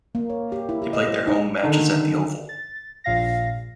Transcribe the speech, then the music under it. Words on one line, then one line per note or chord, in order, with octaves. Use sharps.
They played their home matches at The Oval.
A#3
C#5
G4
E4
G4
D#5
C5
D#4
D3 D#3 D4 D#4
A6
A#1 A#2 F5 A#6